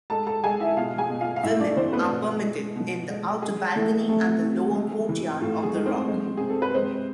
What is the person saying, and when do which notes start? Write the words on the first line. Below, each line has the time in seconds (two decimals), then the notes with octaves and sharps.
Women are permitted in the outer balcony and the lower courtyard of the rock.
0.10 G#3 A4 A5
0.27 A4 A5
0.44 G#3 G#4 G#5
0.60 E4 E5
0.77 B2 F4 F5
0.98 G#4 G#5
1.10 B2
1.21 F4 F5
1.36 F5
1.43 A2 E4 E5
1.60 D4 D5
1.76 E3 C4 C5
1.93 B3 B4
2.09 B2 F4
2.43 G#3
2.75 B2
3.10 G#3
3.42 G#3 G#4
3.76 E3 A3 A4
4.08 C3 A3 A4
4.41 C3
4.75 G#3
5.09 E3
5.41 A2 F4
5.63 G#4
5.74 G#3
5.86 C4 C5
6.08 G#3
6.37 C3 G#4
6.50 A4
6.62 B4
6.74 G#3 C4 C5